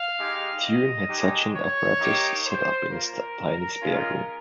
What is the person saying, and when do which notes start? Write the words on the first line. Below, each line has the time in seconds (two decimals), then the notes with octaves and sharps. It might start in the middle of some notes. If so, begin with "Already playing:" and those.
Turing had such an apparatus set up in his tiny spare room.
Already playing: F5
0.18 G#3 D#4 G4
0.63 D#5
1.08 G#3 D#4 G4
1.54 C#5
2.00 A#3 D#4 G4
2.45 C5
2.90 A#3 F4 A#4
3.81 G#3 C#4 F4